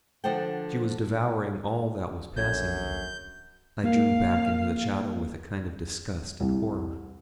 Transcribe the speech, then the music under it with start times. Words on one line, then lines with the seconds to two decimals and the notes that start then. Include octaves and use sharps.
She was devouring all that was passing there. I drew back into the shadow with a kind of disgust and horror.
0.24 D3 F3 D4 C5 F#5 G5
2.36 A#1 F#2 A4 C#5 G6 G#6
3.84 A#3 F5
6.40 C2